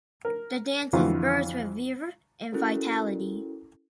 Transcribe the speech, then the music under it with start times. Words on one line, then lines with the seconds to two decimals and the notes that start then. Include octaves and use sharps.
The dances burst with verve and vitality.
0.25 A#4
0.93 F2 D3 E3 F3 F4 F#4
2.52 C#4 E4 F#4 A4 A#4